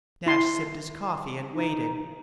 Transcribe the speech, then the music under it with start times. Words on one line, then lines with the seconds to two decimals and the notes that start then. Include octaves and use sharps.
Nash sipped his coffee and waited.
0.26 E4 C6
1.53 D#4